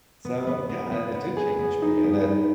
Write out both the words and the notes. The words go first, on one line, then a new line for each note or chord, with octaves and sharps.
so yeah, it did change me, and it
B3
B3
B3
B3
B3
G#4
B3
D#4
B3
D#4